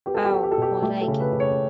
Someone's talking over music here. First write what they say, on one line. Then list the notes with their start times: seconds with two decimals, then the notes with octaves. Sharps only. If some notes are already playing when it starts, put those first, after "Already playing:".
Ow! My leg!
0.06 B3 G4
0.15 A4
0.24 G4
0.31 B3 A4
0.43 G4
0.52 A4
0.57 B2 G4
0.82 A3 G4
1.01 A4
1.08 C#3
1.20 B4
1.33 C#3
1.40 C#5